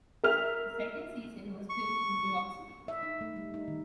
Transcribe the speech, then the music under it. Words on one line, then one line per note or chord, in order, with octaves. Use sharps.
The second season was filmed in New York City.
A#4 E5 F6 F7
C#6
E5
D#4
A3
G3
D#4
D#3